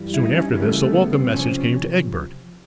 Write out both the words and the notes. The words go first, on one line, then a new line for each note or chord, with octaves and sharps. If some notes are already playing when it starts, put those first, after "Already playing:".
Soon after this a welcome message came to Egbert.
Already playing: G2 E3 G3
E4
D#4
C#4
E2 C#3 E3 G3 A#3
A3
G#3
A3
B3
C4
C3 F3 C#4